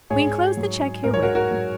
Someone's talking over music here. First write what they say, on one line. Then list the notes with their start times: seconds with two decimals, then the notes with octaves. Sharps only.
We enclose the check herewith.
0.10 G#2 G#4 C#5
0.57 F#3
1.04 G#2 A#4
1.14 C#5
1.23 F#4 A#4
1.35 F#4 A#4
1.51 F#3